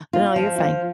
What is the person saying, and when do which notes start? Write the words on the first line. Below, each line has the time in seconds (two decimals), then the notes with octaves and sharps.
No, you're fine.
0.13 F4
0.36 F3
0.58 F4